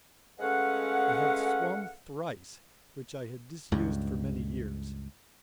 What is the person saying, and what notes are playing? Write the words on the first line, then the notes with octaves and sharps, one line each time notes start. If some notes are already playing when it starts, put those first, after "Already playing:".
I have swum thrice, which I had disused for many years.
G#3 A3 C#4 B4 F5 F#5
C#2 G2